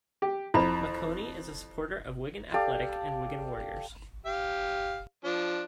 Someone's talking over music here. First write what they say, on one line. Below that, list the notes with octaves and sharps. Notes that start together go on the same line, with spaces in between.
Maconie is a supporter of Wigan Athletic and Wigan Warriors.
G4
F2 E4 B5
G4 A4 D5 F5
G4 F5
F3 D4